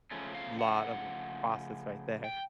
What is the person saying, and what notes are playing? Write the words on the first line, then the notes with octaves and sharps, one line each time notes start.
lot of a process right there.
C#3 F3 A3 C#4
F5
F#5
G5